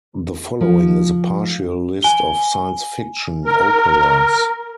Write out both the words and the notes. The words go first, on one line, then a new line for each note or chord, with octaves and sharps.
The following is a partial list of science-fiction operas.
F3
G#5 G7
A#4